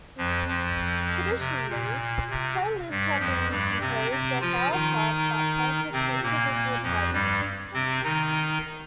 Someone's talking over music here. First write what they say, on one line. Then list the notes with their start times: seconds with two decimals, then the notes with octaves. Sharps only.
Traditionally playlists have been composed of file paths that pointed to individual titles.
0.18 F2 F3
0.48 F2 F3
1.39 C3
1.69 A#2
2.30 C3
2.90 G2 G3
3.20 F2 F3
3.51 G2 G3
3.80 C3 C4
4.11 C3 C4
4.41 F3 F4
4.71 D#3 D#4
5.92 C3 C4
6.22 A#2 A#3
6.83 F2 F3
7.13 G2 G3
7.74 C3 C4
8.04 D#3 D#4